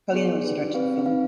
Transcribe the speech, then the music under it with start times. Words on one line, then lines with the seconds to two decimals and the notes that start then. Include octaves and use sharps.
Carlino also directed the film.
0.13 B3 D4 G#4 D5
0.44 D#4 G4 B4 D5
0.74 C4 G4 B4 F5
1.06 C4 D#4 B4 F5